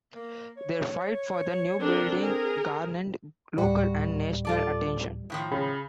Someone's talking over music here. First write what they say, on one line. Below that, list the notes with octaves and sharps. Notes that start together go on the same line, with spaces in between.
Their fight for the new building garnered local and national attention.
A#3
C#5
C4 D4 A4 A#4
G#4 A#4
D2 A2 G3 F#4
F4 A4 D5
A2 D#3 F3
C#3 B5